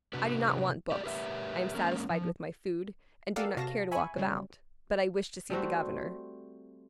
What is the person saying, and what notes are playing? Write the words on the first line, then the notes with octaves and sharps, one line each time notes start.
"I do not want books, I am satisfied with my food, and do not care to walk about; but I wish to see the governor."
C3 D4 F#4 B4
A3 G4 D5
G4 A#4 B4 D#5 E5
G#3 A#3 C#4 A#4
F3
G4 A4 A#4 D5 F5 F#5
C3 F#4 F5 A5 A#6
E5 G#5 B5 C#6
C#3 F#3 G3
G3 A3 C4 F#4